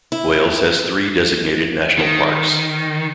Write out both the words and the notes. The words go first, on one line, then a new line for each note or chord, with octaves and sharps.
Wales has three designated national parks.
E4
D#3